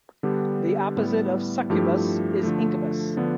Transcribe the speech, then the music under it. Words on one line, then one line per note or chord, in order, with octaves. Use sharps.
The opposite of "succubous" is incubous.
D3 G3 B3 D4 G4
A2 G3 B3 E4
G2 F3 A3 E4 G4
D3 F3 A3
D3 F3 B3 D4